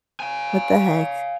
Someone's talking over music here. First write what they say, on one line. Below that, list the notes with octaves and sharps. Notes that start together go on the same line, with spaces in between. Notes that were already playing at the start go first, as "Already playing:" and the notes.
What the heck?
F5 G#5